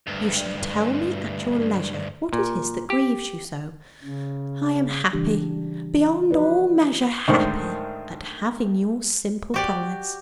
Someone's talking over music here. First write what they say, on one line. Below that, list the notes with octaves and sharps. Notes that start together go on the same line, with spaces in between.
"You shall tell me at your leisure what it is that grieves you so; I am happy--beyond all measure happy!--at having your simple promise."
D2 G2
A#2
G4
C#3
C#3 E3 G3 D4 G4
F3 F#4 B4 D5
D2 G#2 D#3 A#4 C5 C#6
F#4 G4 D5